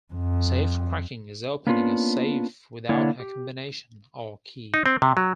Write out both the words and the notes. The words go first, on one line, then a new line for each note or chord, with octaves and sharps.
Safe cracking is opening a safe without a combination or key.
F2
A#3 B3 C#4 D4 F4
D3 A#3 E4 C#5 D5 F#5
G4
D#4
C4
C3
F#3